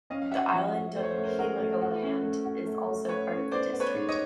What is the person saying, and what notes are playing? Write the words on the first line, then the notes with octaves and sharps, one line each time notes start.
The island of Heligoland is also part of the district.
C#4 D#5 F5
F5
F#4 E5 F#5
F3 E5 F#5
F#4
A3 C5
C#5
C5
A3 C#5
A#4 C5
F#4 G#4 A#4
A3
F#4
C#4
A3
F#4
A3
A3
A3 B4 C#5
C#4
B3 C5 D5
B3
B4 C#5
G#2
C#5 D#5